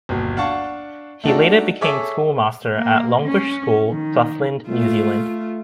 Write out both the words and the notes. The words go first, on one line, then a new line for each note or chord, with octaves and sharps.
He later became schoolmaster at Longbush School, Southland, New Zealand.
G1 D#2 B2
D4 F5 F#5 A5 C#6
A3 D4 D#4 F#4 A4
G#4 A4 C#5 E5 D6
A#3
C#4
D#3
A3 F4